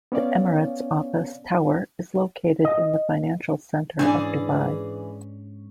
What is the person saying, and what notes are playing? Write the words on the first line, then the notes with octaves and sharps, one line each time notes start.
The Emirates Office Tower is located in the financial centre of Dubai.
B3 C#4 C#5 D5 F5
D#5
G#2 E3 C#4 D4 G#4 D5